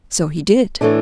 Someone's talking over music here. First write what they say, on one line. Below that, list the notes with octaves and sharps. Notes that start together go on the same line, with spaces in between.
"So he did."
A2 E3 A3 D4